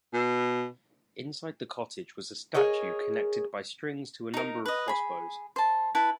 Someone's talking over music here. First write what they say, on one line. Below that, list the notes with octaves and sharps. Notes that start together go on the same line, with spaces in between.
Inside the cottage was a statue, connected by strings to a number of crossbows.
B2
G#4 A#4 C#5 D#5
D#4 A#4
B4 D#5
G#4 B5
C5 A5
E4 B4 A5